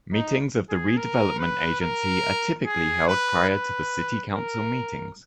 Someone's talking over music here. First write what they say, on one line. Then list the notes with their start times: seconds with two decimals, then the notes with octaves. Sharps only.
Meetings of the Redevelopment Agency are typically held prior to the City Council Meetings.
0.13 D#4
0.69 G#4
0.97 A#4
1.39 B4
1.81 A#4
2.66 G#4
3.07 B4
3.49 B4
4.34 A#4